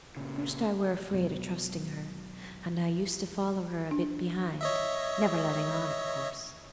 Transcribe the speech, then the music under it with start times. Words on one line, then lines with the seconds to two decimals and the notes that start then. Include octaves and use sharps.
At first I were afraid o' trusting her, and I used to follow her a bit behind; never letting on, of course.
0.17 A#2 C#3
1.11 E1 F#3
3.91 D4
4.61 C#5 D#5 E5